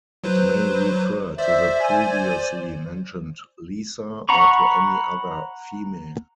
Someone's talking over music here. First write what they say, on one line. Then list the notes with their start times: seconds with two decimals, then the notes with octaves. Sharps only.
It may refer to the previously mentioned "Lisa" or to any other female.
0.24 F#3 B4 C5
1.38 C5 D5 E5
1.81 G#5
4.29 F#5 A#5 B5 C#6